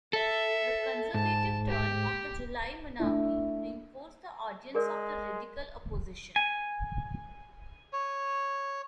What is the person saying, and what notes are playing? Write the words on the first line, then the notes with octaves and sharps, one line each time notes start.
The conservative turn of the July Monarchy reinforced the audience of the radical opposition.
A4 E5
G#2 A5
G4
A3 D4 E4
G#3 G#4 A#4 D5
G#5
C#5